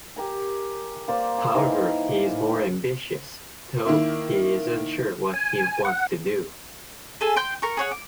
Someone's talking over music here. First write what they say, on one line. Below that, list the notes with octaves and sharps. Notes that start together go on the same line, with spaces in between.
However, he is more ambitious, though he is unsure what he wants to do.
G4 A#4 G#5
A#3 C5 D5
G#5
D#3 E3 G#5 A#5
D#3 A#3 E4
G#5
F#5
G#4 A4 E5 G#5
G5 C6 G6
A#4 A#5 C#6
G#4 C#5 F#5
D6